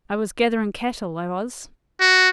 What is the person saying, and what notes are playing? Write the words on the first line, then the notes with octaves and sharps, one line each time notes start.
I was gatherin' cattle, I was.
F#4